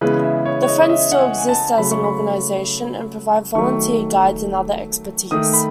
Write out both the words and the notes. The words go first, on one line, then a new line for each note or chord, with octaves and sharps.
"The Friends" still exist as an organisation, and provide volunteer guides and other expertise.
C#3 E3 G#3 B3 B4
E5
C#5
C#5
D#5
D#5
E5
F#5
G#5
G#5
A5
C#3 F#3 A3 B5
C#6
B5
D#3 F#3 A3 C#6
D#3 A3 D#6
B5